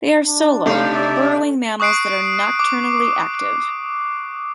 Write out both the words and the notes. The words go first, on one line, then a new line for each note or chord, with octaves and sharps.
They are solo, burrowing mammals that are nocturnally active.
D4
C3 A3 D#4 G4 F5
D5 E5
C#6 D#6 F#6 C7 D7
D6